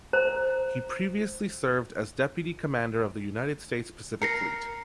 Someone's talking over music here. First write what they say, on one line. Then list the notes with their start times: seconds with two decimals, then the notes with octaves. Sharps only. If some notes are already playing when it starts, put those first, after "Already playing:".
He previously served as deputy commander of the United States Pacific Fleet.
0.13 C5 A#5
4.22 A#4 A#6 C7 C#7